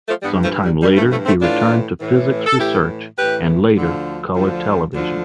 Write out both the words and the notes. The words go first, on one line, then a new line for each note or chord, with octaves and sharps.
Some time later, he returned to physics research and later colour television.
F3 A3
G2 E3 G3 B3
F3 A3
G3
G2 E3 G3
F3 A3
F3 A3
A3 C4
A2 E3 D4 F4
A2 E3
A4
A2 E3 E4 G4
A2 E3 G4 B4
D2 D3 F3
D2 D3 F3
D2 D3 F3